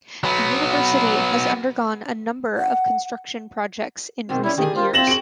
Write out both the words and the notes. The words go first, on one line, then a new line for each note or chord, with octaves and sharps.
The university has undergone a number of construction projects in recent years.
F#3 B3
F#5
F2 B2 D#3 C4
G3 C#4 E4
D3 D#3 G4 G#4
F4 A#4 C5
C4 F4 E5 A#6 E7 F#7
F#4 G#4 D7 F#7